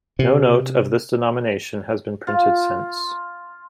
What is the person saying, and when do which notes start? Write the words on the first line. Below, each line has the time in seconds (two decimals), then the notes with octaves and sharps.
No note of this denomination has been printed since.
0.19 C3
2.27 F4